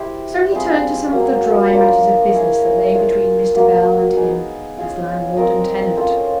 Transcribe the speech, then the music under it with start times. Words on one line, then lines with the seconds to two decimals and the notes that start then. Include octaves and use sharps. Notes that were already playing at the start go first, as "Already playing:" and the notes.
So he turned to some of the dry matters of business that lay between Mr. Bell and him, as landlord and tenant.
Already playing: E4 G4 C5
0.52 G3 C4 F4 G#4
1.12 F#3 A#3 C#4
1.73 D4 F4 A#4 D#5
2.34 E4 G#4 C#5 F5
2.94 D4 F4 G#4
3.55 F#3 A#3 D4 F4
4.15 B3 D#4 G#4
4.76 C#4 F4 G#4
5.37 C4 F4 A#4 D#5
5.97 C#4 F4 A4 C5